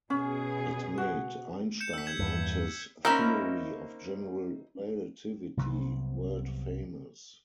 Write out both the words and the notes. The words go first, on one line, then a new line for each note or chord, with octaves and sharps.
It made Einstein and his theory of general relativity world-famous.
B2 C#4 G#4
F#4
G6 C#7 E7
E6 B6
G6 G#6 E7
E2 G2
A#3 C4 C#4 D#4 A#4 E5 B5
C2 C3 F#3 B3